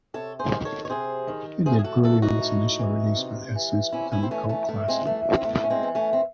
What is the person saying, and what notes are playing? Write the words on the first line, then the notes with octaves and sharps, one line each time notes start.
It did poorly on its initial release, but has since become a cult classic.
C3 A4 C#5
G#4 C5
D#3
A4 C#5
C#5
C3 G#4 C5
D#3
A2 G#4 C5
G#4
F#4 A4
E3 F#4 A4
D#4 F#4
A2
E3
C3
E3
C3 C#4 E4
C#4 E4
C4
E3 A3 C#4
A3 C#4
A2 A3
G#3 C4
E3 A3
C4
A2 A3
C#4
G#3 C4
E3
A3 C#4
C4